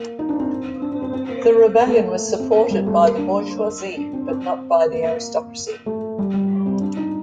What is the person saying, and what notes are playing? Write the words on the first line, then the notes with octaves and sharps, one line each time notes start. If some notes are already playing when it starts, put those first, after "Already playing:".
The rebellion was supported by the bourgeoisie but not by the aristocracy.
Already playing: A#3
D#4
D4
C4
D4
D4
C4
C4
A#3
A3
A#3
C4
A#3
G3
A3
A#3
D4
D4
C4
C4
A#3
A#3
A3
G3
G3
C4
D4
D#4